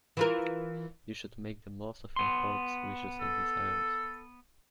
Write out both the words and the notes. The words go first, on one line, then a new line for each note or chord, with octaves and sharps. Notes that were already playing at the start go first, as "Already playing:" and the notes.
You should make the most of your hopes, wishes and desires.
E3 F4 A#4
B3 C6
A4